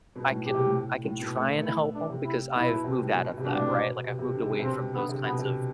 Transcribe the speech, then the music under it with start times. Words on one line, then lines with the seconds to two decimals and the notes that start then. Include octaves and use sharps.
I can I can try and help 'em because I've moved out of that, right? Like, I've moved away from those kinds of
0.15 B2
0.30 A2
0.45 B2 G4
0.55 C3
0.65 A2
1.04 A2
1.20 B2
1.35 A3
1.50 B3
1.58 A3
1.64 B3 E4
1.94 A3 D4
2.10 C3
2.24 E4
2.54 B2 E4
2.69 B2
2.84 C3
2.99 A2
3.14 B2
3.29 B2
3.38 C3
3.44 B2 D4
3.54 A2
3.64 B2
4.04 C3
4.19 C3
4.34 D3
4.42 C3
4.51 B2
4.59 C3 C4
4.94 D3 B3
5.09 C3
5.24 B2 B3
5.39 C3